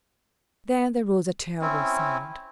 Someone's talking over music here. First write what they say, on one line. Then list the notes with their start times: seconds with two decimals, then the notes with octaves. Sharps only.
Then there rose a terrible sound.
1.61 C4 C#4 E4